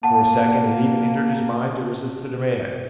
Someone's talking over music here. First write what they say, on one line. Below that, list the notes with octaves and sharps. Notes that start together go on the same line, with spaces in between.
For a second it even entered his mind to resist the demand.
A#3 F#5 A5